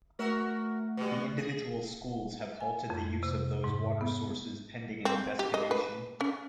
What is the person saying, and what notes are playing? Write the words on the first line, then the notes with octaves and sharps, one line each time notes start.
The individual schools have halted the use of those water sources pending an investigation.
A3 F#4 A#4 E5
B2 G3
G#4
G#5
F2
C3
G#2
B3
C4
G4
D#5
B4
C#4